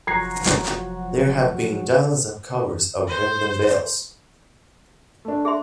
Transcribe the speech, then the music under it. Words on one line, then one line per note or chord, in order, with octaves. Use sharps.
There have been dozens of covers of "Ring Them Bells".
F1 F3 F#3 F#4 A#5 G#6 C7
C5
A3 D4
G#4 E5 C6